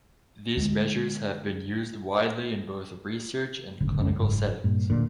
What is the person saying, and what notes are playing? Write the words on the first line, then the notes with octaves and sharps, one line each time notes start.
These measures have been used widely in both research and clinical settings.
D2 G#3
D1 G1 C#2
C#2 F#2 G3 C#4
F#1 G#2
G2 A#2
D1 D2 A#2